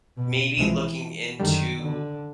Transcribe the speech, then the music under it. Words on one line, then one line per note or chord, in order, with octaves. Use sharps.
maybe looking into
B2
C2 C3 E3 F3 G#3
F#2 D3 D#3 G3
D3